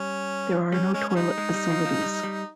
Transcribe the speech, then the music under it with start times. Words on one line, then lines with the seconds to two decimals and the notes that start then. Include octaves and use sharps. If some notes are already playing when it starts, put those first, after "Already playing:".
There are no toilet facilities.
Already playing: G3 C#4
0.72 G3 C#4
0.94 G#3 C#4
1.09 C#4
1.15 G3 D#4
1.38 G#3
1.54 G3
1.70 F3
1.85 F3
2.01 G3
2.23 G3